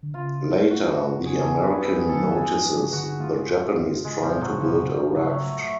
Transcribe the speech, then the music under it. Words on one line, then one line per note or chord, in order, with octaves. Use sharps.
Later, the American notices the Japanese trying to build a raft.
D3
C#3 F4
F#4
C#3 G#4
G#4
B4
A4
G#4
A4
F#3
F3 G#4
A4
D3 G#4
F3
F3
D3 F#4
F4
C#3 G#3
C#3 F3
B2 F#3
C#3 F3
B2
C#3
C#3 F#3
A3
A3